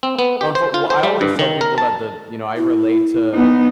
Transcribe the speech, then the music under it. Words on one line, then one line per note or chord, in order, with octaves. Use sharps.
I'm fro Well, I always tell people that the you know, I relate to
C4
B3
G4
C5
F4
C5
G3
G2
D#3
A#4
A5
E4
B3 D#4